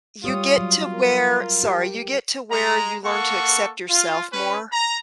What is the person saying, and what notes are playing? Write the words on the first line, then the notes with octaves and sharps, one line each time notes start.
you get to where sorry, you get to where you learn to accept yourself more
G3 F4 G4 C#5 D#6
F#3
A#4
G4
G#3 A#5
A#3 A4 F#5 C#6
F4
C#4 B4
A#5